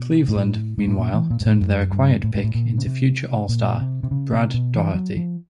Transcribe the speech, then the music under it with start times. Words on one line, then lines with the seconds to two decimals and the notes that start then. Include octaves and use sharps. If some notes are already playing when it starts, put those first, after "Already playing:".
Cleveland, meanwhile, turned their acquired pick into future All-Star Brad Daugherty.
Already playing: B2
0.28 G#2
0.36 A2
0.78 G#2
0.88 A2
0.99 A#2
1.14 E3
1.30 A#2
1.40 G#2
1.45 A2
1.61 F#2
1.92 G2
2.24 A2
2.34 G#2
2.44 A2
2.55 A#2
2.78 C#3
2.87 C3
3.49 A#2
3.81 C3
4.03 C3
4.11 C#3
4.33 C3
4.54 B2
4.74 E3
4.95 F#3
5.17 F3